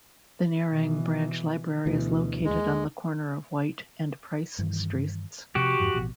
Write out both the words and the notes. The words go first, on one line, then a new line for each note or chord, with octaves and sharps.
The Nerang Branch Library is located on the corner of White and Price Streets.
B2 E3
D2 B2 E3
D#2 G#3
G2 D#3 E3
C3 F3 F#4 G4
F2 G#2 F3
A1 B2 F3